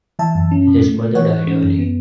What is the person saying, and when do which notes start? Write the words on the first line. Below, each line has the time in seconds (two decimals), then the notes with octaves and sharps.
His mother died early.
0.19 E3 E5 A5
0.35 F#2
0.51 C#4
0.67 B2
0.83 A3
0.99 A3
1.15 E3 C#5 F#5
1.31 E3
1.47 C#4
1.63 F#2
1.79 B3